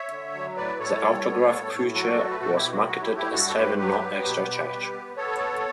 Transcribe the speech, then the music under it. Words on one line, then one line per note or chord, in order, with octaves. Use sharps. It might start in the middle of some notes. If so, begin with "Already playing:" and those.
The autographic feature was marketed as having no extra charge.
Already playing: C#5 E5
D3
F#3
A2 B4 D5
A2 A4 C#5
G3
B3
A2
A2
F#3 F#4 A4
A3
B4
B2 F#4 A4
E4 G4
B2
F#4
F#3 F#4
E4 G4
A3
E4 G4
G2 F#4 A4
A4
G2 G4 B4
F#3 G4 B4
B3
B2
B2
G3
B3
B3 A4 C#5